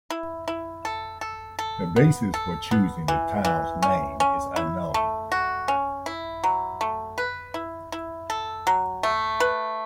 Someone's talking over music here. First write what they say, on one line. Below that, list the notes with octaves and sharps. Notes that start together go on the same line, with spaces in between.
The basis for choosing the town's name is unknown.
E4
E4
A4
A4
A4
B3
A4
B3
E3
E3
C#4
C#4
E4
A3
F#4
C#4
E4
F#3
A3
B4
E4
E4
A4
F#3
A3
B4